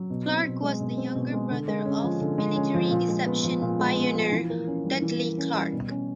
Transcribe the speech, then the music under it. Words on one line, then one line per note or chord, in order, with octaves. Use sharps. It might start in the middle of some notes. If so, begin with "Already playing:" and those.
Clarke was the younger brother of military deception pioneer Dudley Clarke.
Already playing: F#3
B2
C4
B2
G#3
B2
C4
B2
G#3
D3
G#3
C#4
F3
D3
G#3
C#4
F3
A#2
G#3
B3
F3
A#2
G#3
B3
F3
E3
A#3
C#4
G3
E3
A#3
C#4
G3
B2
C#4